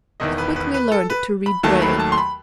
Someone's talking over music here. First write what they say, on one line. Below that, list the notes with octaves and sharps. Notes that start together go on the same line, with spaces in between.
He quickly learned to read Braille.
E1 E2 D#3 D#5
B4
B4
B4
A4
B4
B5
D#2 D#3 F#3 A3 A5
B5
A5
C6
B5